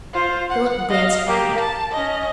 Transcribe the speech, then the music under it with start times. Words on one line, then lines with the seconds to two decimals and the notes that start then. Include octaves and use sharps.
Philip glanced round.
0.13 F4 C5
0.49 F#5
0.90 D#5 F5
1.26 A#3 G4
1.59 A5
1.92 C#4 D#5